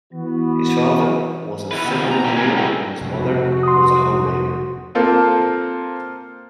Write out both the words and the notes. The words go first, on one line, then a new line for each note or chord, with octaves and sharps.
His father was a civil engineer and his mother was a homemaker.
E3 B3 F#4
B2 E4 B4
A#2 D#3 B3
A#5
B2 E3 A#3 C#4 D4 G4
G#2 E3 F#3 B4 G#5 A#5
A2 G3 A3 E4 A#4 G5
F1 C3 F#4
C6 D#6
A#3 C4 F4 A4 C5